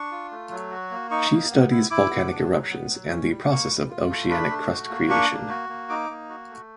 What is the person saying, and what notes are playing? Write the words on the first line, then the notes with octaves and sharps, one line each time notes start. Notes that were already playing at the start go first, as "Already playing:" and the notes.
She studies volcanic eruptions and the process of oceanic crust creation.
Already playing: D4 C#6
F4
A3
F#3
F#4
A#3
D#4 C#6
A#3
B3
E4
E4 D6
B3
D4
F#3
B3
F#3
C#4
G3
A#3 C#6
G3
F4
A3
D4 B5
A3
F#4
A#3
D4 C#6
A#3
F#4
A#3
D#4 D6
A#3
F#4
A3